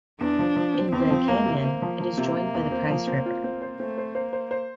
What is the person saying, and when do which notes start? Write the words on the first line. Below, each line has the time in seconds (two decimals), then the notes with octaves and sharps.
In Gray Canyon, it is joined by the Price River.
0.21 E2 D4
0.39 F3
0.56 F3
0.74 C4
0.92 E2 C4
1.10 F3
1.28 E2 A#3
1.46 C3
1.64 A#3 C4
1.82 F3
2.00 F3
2.18 C3
2.37 C3
2.54 E2
2.72 C4
2.90 F3
3.07 C4
3.26 F4
3.44 C4
3.62 C5
3.80 A3 C4
3.98 C5
4.15 A#3 C5
4.33 C5
4.51 C5